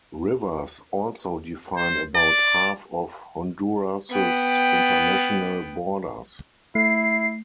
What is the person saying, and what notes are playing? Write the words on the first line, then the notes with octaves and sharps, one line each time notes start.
Rivers also define about half of Honduras's international borders.
C5
D5
B3 G5
A3 E4 C7